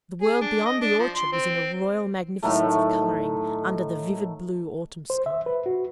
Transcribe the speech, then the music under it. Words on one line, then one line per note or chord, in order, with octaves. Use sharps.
The world beyond the orchard was in a royal magnificence of colouring, under the vivid blue autumn sky.
G#4
D4
D#5
D4
F3
C6
C4
A2 D#3 F#3 A3
C5
E5
B4
F#4